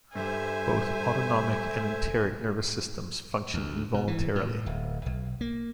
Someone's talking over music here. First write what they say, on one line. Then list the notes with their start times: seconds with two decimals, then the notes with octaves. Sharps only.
Both autonomic and enteric nervous systems function involuntarily.
0.15 G2 G3 A4 C5 E5 G#5
3.54 D2
3.94 B2
4.08 E3
4.35 A2
4.66 D1
5.06 B1
5.41 A#3